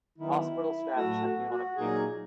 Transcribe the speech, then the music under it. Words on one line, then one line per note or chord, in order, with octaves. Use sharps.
Hospital staff checking on a patient.
D#3 F#3 B3 E4
A2 F#3 A3 F#4
F#4
F#4
A#2 F#3 A#3 D#4 G#4